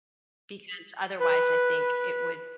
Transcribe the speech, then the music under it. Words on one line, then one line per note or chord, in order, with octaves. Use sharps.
because, otherwise, I think it would
B4